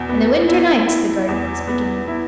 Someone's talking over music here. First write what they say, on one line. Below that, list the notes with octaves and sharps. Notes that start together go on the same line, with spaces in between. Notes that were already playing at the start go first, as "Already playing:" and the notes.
"In the winter-nights--" the Gardener was beginning.
Already playing: E2 B2
B3
E4
E4
E2
B3
E4